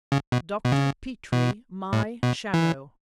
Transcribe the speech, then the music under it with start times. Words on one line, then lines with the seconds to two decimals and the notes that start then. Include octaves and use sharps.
Dr. Petrie--my shadow...
0.12 C#3
0.32 B2
0.65 B2
0.72 C#3
1.32 B2
1.93 A2
2.23 B2
2.54 E3